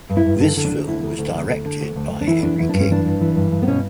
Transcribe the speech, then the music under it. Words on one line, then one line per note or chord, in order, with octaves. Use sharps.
This film was directed by Henry King.
G2
E4
G2
D3
D3
D4
D3
D2 E4
D2
D2
D2
D2
D3
D2
D2
D2
D4
E3 E4
E2 D4
E2 E4
G2 D4
C#4
E3 D4
G2
E3
G2
G2
B3
B2 C#4